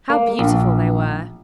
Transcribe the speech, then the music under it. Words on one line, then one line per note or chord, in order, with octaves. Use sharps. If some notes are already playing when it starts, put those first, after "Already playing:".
How beautiful they were!
A#3
A#1